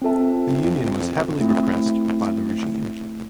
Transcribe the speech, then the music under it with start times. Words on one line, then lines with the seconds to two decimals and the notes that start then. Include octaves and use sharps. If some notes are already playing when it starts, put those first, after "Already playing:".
The union was heavily repressed by the regime.
0.02 C4 F4 A4 E5 A5
1.41 A3 C4 E4